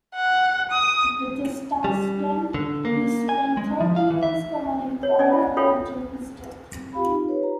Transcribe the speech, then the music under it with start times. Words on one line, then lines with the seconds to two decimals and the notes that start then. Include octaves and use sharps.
With his task done, he spent thirty years governing Poyang until his death.
0.15 F#5
0.71 D#6
1.84 G3
2.54 D3
2.85 A#3
3.29 G#5
3.57 G#3
3.80 F3
3.96 F5
4.11 E3
4.23 E5
5.03 C#5
5.18 C#4 D5 D#5 G#5
5.33 E4
5.57 F4 A4 C#5 E5 G5 B5
6.75 C4
6.93 F4 G4 F5 B5
7.05 D#4 F4
7.29 G4 B4 C#5
7.43 A#5